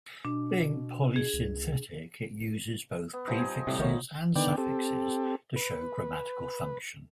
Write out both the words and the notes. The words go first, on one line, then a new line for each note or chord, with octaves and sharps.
Being polysynthetic, it uses both prefixes and suffixes to show grammatical function.
B2 D4
G#4
C#2
B3
F3 G3 C4 D#4
G#5
A2 C3 G3 E4
A#1 B2 D#3 A3 C#5
D3 D#3 B3 D5 G5
C4 G4 A4
B4